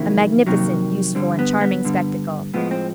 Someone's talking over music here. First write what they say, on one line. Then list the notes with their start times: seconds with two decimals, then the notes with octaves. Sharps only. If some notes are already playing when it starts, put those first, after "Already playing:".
A magnificent, useful, and charming spectacle.
Already playing: F2 C3 D#3 F#3 A#3 E4
0.47 F2 C3 D#3 F#3 A#3
1.15 G2 D3 G3 C4
1.39 B3
1.61 B3
1.85 G2 D3 G3
2.54 A2 F3 G#3 B3
2.71 C4